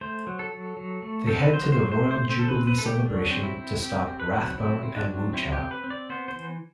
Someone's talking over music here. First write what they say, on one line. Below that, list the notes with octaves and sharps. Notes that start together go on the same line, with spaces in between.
They head to the Royal Jubilee celebration to stop Rathbone and Wu Chow.
A3 C5
F#3
A4
F#3
F#3
A3
C4 A4
B4
F#3 C5
C5
F#3
C5
A3
C5
C4 C5
A4
B4
C4
B4
A3 A4
G4
F#3 D4
C4
E4
C4
C4 G4
C4
B4
F#3
C4 E4
C4
D4
F#3
C4 E4
G4
C4
B4
C4
D5
B3 C5
C5
E3